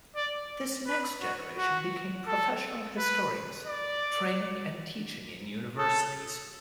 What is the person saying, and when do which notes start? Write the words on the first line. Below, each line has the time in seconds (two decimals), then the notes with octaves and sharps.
This next generation became professional historians, training and teaching in universities.
0.16 D5
0.87 B4
1.22 F#4
1.57 F#4
2.27 A4
2.97 B4
3.67 D5
5.78 A4